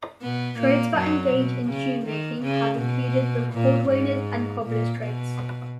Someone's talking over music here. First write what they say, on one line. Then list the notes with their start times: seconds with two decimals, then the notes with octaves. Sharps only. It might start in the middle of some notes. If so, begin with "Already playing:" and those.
Trades that engage in shoemaking have included the cordwainer's and cobbler's trades.
0.22 B2 B3
0.58 A#2 A#3
0.95 F#2 F#3
1.31 B2
1.68 C#3
2.05 D#3
2.42 C#3
2.79 B2
3.53 A#2
3.89 G#2
4.63 A#2
5.00 B2